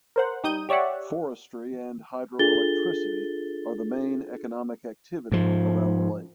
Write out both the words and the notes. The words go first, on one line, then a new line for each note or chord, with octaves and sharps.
Forestry and hydroelectricity are the main economic activity around the lake.
A#4 C5 F#5
G3 D#4 D#6 G6 D#7
G4 C#5 D5 E5 F#5
D4 F4 G#4 A4 A6 G7
G#2 F3